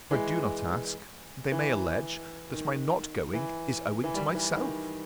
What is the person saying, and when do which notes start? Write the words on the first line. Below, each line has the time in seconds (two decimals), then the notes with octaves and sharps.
But, if I do not ask, they may allege, that my not going is owing to myself.
0.11 E3 G#3
1.52 E3
2.53 D#3
3.33 E3
4.04 E3
4.15 D#3 G3
4.35 E3
4.55 D#3